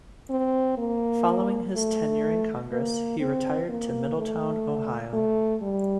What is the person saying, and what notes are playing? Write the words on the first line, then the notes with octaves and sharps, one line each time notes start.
Following his tenure in Congress, he retired to Middletown, Ohio.
C4
A#3
A3
A#3
C4
A#3
A3
A3
G3